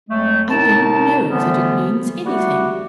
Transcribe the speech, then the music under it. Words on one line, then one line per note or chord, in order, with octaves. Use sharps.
'I don't know that it means anything.
F2 F#3 G#3 A3
A2 C3 D#4 A#4 A5
D3 E3 F3 G3 A3 B3
G3 A3 F#4 G4 F#5